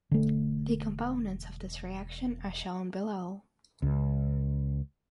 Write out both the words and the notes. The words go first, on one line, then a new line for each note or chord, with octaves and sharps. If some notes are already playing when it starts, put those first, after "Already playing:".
The components of this reaction are shown below.
E1 D3 A3
C#2